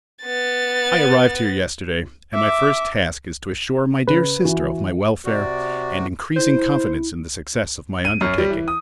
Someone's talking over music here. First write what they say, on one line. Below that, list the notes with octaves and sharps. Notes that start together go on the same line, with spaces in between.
I arrived here yesterday, and my first task is to assure my dear sister of my welfare and increasing confidence in the success of my undertaking.
B3 A6
E5 D6
C#3 B4
E3 F#4
C3 F#4 D5
E4 C5
D#7
F#2
G3
E3
D#6